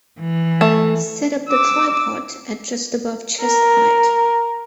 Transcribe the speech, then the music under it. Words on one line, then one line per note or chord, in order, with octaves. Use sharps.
Set up the tripod at just above chest height.
E3
A3
D6 E6
A#4